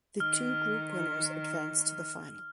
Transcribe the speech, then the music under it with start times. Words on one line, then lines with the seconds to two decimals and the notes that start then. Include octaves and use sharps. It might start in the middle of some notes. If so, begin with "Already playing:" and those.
The two group winners advance to the final.
0.20 D#3 F6